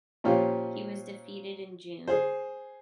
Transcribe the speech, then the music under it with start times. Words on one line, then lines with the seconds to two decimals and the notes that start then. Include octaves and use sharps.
He was defeated in June.
0.24 A#2 F3 C#4 F4 G4
2.07 G#4 C5